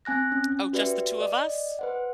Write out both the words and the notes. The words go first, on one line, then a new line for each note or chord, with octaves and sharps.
Oh, "Just the two of us?"
C4 G#5 F#6 A#6
C#4
F#4 G4 B4 D5 E5
D5 D#5
B4 C5 F#5